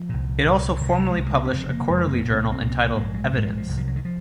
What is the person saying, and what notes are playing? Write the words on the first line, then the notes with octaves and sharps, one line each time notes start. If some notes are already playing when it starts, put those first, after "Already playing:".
It also formerly published a quarterly journal entitled "Evidence".
Already playing: F3
C2 A#2
C2 A#2
C2 C3 D#3
F3
F#3
G#3
C2 C3
G#3
A#3
C#4
F1 F2 C#3 C4
A#3
F1 F2 C#3 G#3
A#3
C2 A#2 A#3
C4
A#3
C4
C2 A#2 A#3
C4
A#3
A#1 G#2 G#3
F#3
D#3
A#1 G#2 F3
F3
F3
C2 C3
F3
F#3
D#3
F3